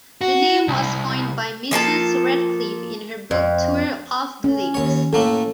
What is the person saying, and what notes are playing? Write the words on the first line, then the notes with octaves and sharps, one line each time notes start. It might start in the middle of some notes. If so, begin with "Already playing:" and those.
The name was coined by Mrs. Radcliffe in her book 'Tour of the Lakes'.
F#4
C2
F3 A#3 F4 A4
F2
C#4
D#2 C#5
A2 A3 A#3 A4